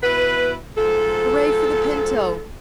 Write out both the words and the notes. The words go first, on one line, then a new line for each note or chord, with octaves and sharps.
"Hooray for the Pinto!"
B2 E4 B4
G#2 F3 A4